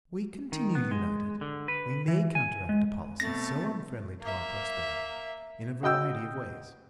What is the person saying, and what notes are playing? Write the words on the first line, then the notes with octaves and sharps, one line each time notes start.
If we continue united, we may counteract a policy so unfriendly to our prosperity in a variety of ways.
D#3
B3
G#3
D3
B4
E3
G#5
G#3
B2 A3 B3 C4 A6 A#6
A#3 E5
F#4 D#5 G5 E6